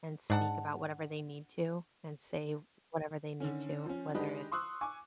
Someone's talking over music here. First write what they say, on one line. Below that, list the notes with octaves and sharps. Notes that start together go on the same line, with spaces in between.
and speak about whatever they need to and say whatever they need to, whether it's,
G#2 D4 F#5 A5
D3 D#3 C#4
F3 C#4
D#3 G#3 D4 G4 B4 D#5
C6 C#6 D#6 E6 F#6
G#5 C#6 D6